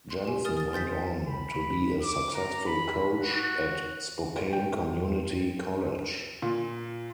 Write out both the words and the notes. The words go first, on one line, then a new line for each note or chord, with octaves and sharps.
Jensen went on to be a successful coach at Spokane Community College.
C6
G4 G#5
A#4 G#5 D#6 F6 A6
D#6 A6
C6 G6 A6 B6
B5
D6
A#5
B5
F#4
G5
A#2